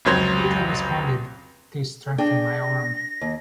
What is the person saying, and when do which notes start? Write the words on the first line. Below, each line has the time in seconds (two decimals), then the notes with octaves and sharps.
Leiter responded, To strengthen my arm.
0.05 F1 C#2 F#3 C5 G#6
2.05 A4
2.18 D4 G#4 G5 A#6
3.21 D#2